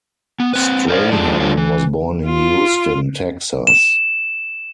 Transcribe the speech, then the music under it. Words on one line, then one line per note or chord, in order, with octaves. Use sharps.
Strahan was born in Houston, Texas.
B3
C4 B4
A#4 C5 D5 D#5 F5
F3 G#3 A3 D4
G3 D4 F4 A4 C#5 F5
E3
F4
E7